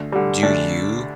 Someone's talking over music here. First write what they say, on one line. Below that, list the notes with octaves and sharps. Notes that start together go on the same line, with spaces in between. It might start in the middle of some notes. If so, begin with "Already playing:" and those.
do you
Already playing: D2
D3 G3
D2 D4